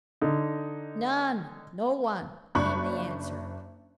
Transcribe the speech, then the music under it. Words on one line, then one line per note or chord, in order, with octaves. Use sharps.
"None--no one," came the answer.
D3 D#4
F#1 D4 B5 C#6 F#6